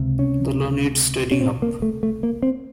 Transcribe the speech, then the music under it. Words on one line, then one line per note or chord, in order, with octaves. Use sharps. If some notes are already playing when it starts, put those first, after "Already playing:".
The law needs tidying up.
Already playing: C#2 C3
C#4
C#4
C4
A#3
A3
A3
A#3
C4